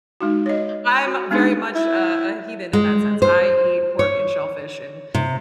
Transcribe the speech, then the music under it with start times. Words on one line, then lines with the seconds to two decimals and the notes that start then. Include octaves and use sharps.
I'm very much a a heathen in that sense, I eat pork and shellfish and,
0.21 G#3 D#4 F#4
0.46 C#5 D#5
1.06 F#4
1.31 G#3 B3 D4 D#4 G4 G#4
1.75 E4
2.73 G#3
3.22 C5
3.99 C#5
5.14 C3